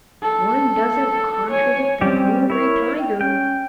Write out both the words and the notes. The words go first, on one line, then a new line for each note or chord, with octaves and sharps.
One doesn't contradict a hungry tiger.
A4
C#5 G#5
G3 C4 C#4 G4
E4 A#4 C#5
G5
C#4 G5